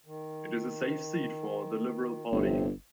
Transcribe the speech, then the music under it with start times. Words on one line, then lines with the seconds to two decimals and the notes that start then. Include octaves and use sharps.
It is a safe seat for the Liberal Party.
0.06 D#3
2.31 G1 A2 C3 C4